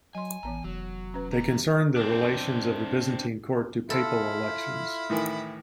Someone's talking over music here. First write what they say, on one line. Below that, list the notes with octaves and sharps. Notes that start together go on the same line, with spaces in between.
They concerned the relations of the Byzantine Court to papal elections.
F#3 D#5 G#5 C6
A1 E3 B3 A#5
F1 F#3
C#4 B4
E2 A#5
C4 D4
E4 F4 A4
A2 D#3 E3